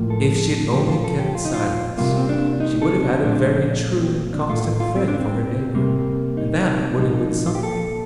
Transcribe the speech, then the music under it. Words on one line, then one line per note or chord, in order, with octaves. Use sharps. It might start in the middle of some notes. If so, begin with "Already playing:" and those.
If she had only kept silence, she would have had a very true and constant friend for her neighbour, and that would have been something.
Already playing: A2 F3 A#3
A4
A#2 F3 A#3 G4
F4
A4
G4
F4
D#4
F4
C3 G3 A#3 F4
C4
D4
D#4
A4
D4
A#2 F3 A3 D4
C4
D4
A2 A3 F4
F4
C4
D4
C4
C3 G3 A#3
D#4
A#2 F3 A#3 D#4
F4
G4
A4